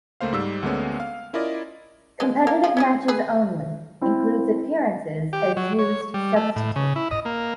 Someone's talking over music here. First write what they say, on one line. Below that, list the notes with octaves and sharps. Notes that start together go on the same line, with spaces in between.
Competitive matches only, includes appearances as used substitute.
C#2 A3 A#3 C5 F5
G#2 G3 E6
D2 D3 G#3 A#3 B3 C#4
F5 F6
C#4 E4 F4 A#4 D5 D#5
E3 G#3 A#3
A#3 A#4
F3 G#4
C#4 E4 G#4
G#4 B4
C4 E4
G4
F#3
C#5
G3
A3
A2
C#3
E4
D#5
A#3